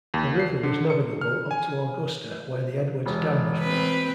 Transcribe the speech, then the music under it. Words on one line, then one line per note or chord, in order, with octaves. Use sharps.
The river was navigable up to Augusta where the Edwards Dam was built.
D#2
C7
D3
C#7
F6
G#5
E1
C4 B4